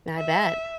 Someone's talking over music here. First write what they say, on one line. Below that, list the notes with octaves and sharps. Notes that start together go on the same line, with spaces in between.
I bet.
E5